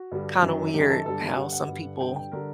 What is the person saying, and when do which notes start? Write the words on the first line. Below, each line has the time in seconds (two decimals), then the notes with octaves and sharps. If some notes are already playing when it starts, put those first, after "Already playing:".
kinda weird how some people
Already playing: F#4
0.11 G2 D3 G3
0.42 F#2 D#3 F#3
0.74 F#2 D#3 F#3 G4
0.90 A4
1.05 G2 D3 G3 A4
1.36 G2 D3 G3 F#5
1.53 F#5
1.68 G2 D3 G3
2.00 G2 D3 G3 G5
2.16 G5
2.32 D3 G3 A#4